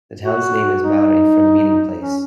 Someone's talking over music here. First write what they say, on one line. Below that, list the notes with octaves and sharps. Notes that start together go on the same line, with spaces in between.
The town's name is Maori for "meeting place".
F#4
D#4
C#4